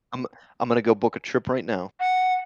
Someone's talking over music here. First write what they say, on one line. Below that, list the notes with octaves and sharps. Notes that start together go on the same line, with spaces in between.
I'm I'm gonna go book a trip right now.
F#5